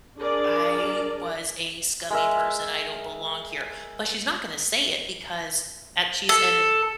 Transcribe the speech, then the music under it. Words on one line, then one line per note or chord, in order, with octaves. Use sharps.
I was a scummy person. I don't belong here," but she's not gonna say it because, uh, she's in
D4 G#4 A#4 D5
G#3 A#4 E5
A4